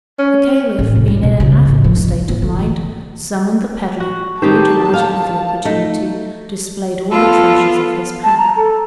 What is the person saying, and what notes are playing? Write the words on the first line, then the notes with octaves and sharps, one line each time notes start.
The Caliph, being in an affable state of mind, summoned the peddler, who, delighted with the opportunity, displayed all the treasures of his pack.
C#4
A1
F1
G#2
B2
C#3
A1
F3
G#2
B3
D3
E3
F#4
D#3 C4 D#4 G4 C5 A5
F5
A3 D#4
B3 F4 A4
A5
A#5
A4